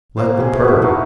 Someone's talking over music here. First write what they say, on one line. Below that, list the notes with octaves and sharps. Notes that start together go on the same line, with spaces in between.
Let them purr.
A#3 C5
G4 G#4
A3 B4
E4 F#4
A3 D#4 F#4 F5